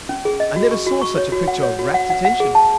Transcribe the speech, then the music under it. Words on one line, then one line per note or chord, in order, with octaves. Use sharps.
I never saw such a picture of rapt attention.
C#4
G#4
D#5
F#4
C#6
F#4
C#6
C#5
F#4
F#5
C#5
F#4
F#5
F#5
F#5
G#4
A5